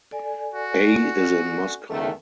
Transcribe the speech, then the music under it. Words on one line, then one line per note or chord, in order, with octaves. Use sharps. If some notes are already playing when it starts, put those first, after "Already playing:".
A is in Moscow.
A4 D5 G#5
F#4
E2 D#3 A3